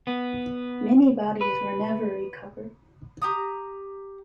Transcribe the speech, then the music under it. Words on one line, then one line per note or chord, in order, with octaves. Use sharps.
Many bodies were never recovered.
B3
B4
G4 A#5 D#6